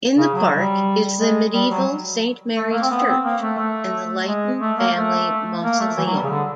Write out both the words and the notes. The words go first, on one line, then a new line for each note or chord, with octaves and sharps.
In the park is the medieval Saint Mary's Church and the Lytton family mausoleum.
C#3
F#3
G3
G#3
G3
F#3
A3
A#3
C4
B3
C4
A#3
A3
A3
G#3
A3
A#3
A3
A#3
A3
E3
F#3
G3
C#3
D3